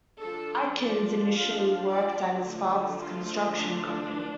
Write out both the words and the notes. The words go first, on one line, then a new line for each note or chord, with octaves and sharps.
Atkins initially worked at his father's construction company.
F3 D4 A4
D5
F5
D5
D3 F3 A3
F4
D4